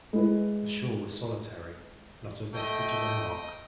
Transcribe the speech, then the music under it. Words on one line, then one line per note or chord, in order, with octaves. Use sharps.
The shore was solitary; not a vestige of a mark.
G#3 E4 B4
A3 D#5 G5